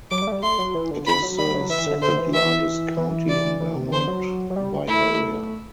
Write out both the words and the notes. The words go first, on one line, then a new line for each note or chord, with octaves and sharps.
It is the second-largest county in Vermont by area.
F#3 D6
G3
A3
G3
A3 C6
F#3
E3
D3
D3 B5
F#3
G3 B5
F#3
E3 E5
D3
D3 C5
E3
E3 E5
E3
D5
E3
C3
D3 C5
F#3
F#3
G3
A3 E4